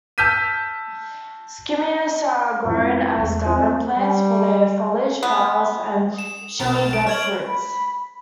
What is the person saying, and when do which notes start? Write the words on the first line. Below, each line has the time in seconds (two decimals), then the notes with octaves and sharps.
Skimmias are grown as garden plants for their foliage, flowers, and showy red fruits.
0.18 A5 E6 F6 G6 B6 D#7
2.64 F2 G#2 E3
3.18 E2 G#3
3.44 F3 C4
3.93 G3
5.23 B3
6.14 D#6 E7
6.60 B1 A#4 A6
6.93 D7
7.07 C#5 F6 G#6 F#7
7.46 B5